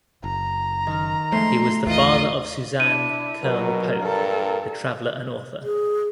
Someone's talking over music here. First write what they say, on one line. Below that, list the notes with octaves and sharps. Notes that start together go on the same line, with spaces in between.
He was the father of Suzanne Kyrle-Pope, the traveller and author.
F#1 A#5
D#3 F6
F3 G#3 A3 C6
A1 D#2 E3 F4 D#5
D4 E4 D#7
A#1 B2 F#3 A#4
G2 A4
G#4